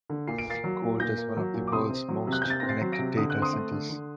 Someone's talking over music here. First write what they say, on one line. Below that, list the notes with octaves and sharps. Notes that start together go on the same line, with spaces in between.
Colt is one of the world's most connected data centres.
D3
A#2 C7
D7
A#3 A6 C7
F#3
A#2
A#2 G6 A#6
A#3
F#3
A#2
D6
C3 C6 D#6
C4
F#3
C3
F#6
C3 G6
A6
C4 A#6
A6 C7
F#3
A#6 D7
C3
D3 D#6
F#6
C4
C6 D#6
A3
D3
D3